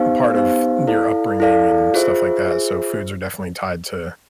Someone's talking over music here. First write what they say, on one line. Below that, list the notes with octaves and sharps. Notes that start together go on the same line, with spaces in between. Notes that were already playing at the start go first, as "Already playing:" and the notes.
part of your upbringing and stuff like that, so, foods are definitely tied to
Already playing: B3 D#4 G4 C5 F5
B3 D#4 G4 C5 F5
E4 A4 D5 F5
E4 A4 D5 F5
F4 G#4 C5 E5
F4 G#4 C5 E5